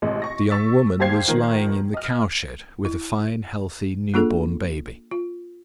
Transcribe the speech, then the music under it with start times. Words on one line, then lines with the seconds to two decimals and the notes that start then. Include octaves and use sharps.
The young woman was lying in the cowshed with a fine, healthy, new-born baby.
0.02 A1 C3 G#3
0.22 C#6 A#6
0.50 C#6 E6 A6 B6
0.99 D#2 G4 C5 F5 G#6 C7
1.28 D#3 F3 A#3 A#4
1.94 D#5 F6
2.85 E4
4.14 A#3 D4 F4 G#4 A4
5.11 F4